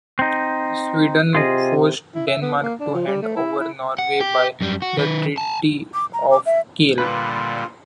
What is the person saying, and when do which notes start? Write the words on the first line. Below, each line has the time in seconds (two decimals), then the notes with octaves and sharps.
Sweden forced Denmark to hand over Norway by the Treaty of Kiel.
0.19 C4 D#4
1.35 C3 F4 G#4 D#5
2.15 E4
2.27 E5
2.42 B3
2.63 A#3
2.80 D4
2.94 F3
3.07 G3
3.23 A3
3.36 E4
3.60 E4
3.98 F#5
4.20 G4 G5
4.61 F#2 G3
4.82 F#4
4.97 D#3 B4
5.38 G#5 A5
5.94 D6
6.13 A#5
6.31 D6
6.46 E5
6.98 A#2 D3 G3 F4 B4